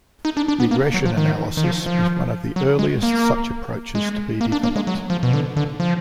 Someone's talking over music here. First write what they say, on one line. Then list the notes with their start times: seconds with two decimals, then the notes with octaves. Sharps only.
Regression analysis was one of the earliest such approaches to be developed.
0.25 D#4
0.37 D4
0.48 D4
0.60 B3
0.71 A#3
0.94 F#3
1.05 F3
1.17 D#3
1.57 D#3
1.64 F3
1.86 F3
2.56 F#3
2.79 G#3
3.03 A#3
3.95 G#3
4.41 A#3
4.52 D4
4.63 A#3
4.76 G#3
4.87 F#3
5.10 F3
5.23 B2
5.33 D3
5.57 D3
5.80 F3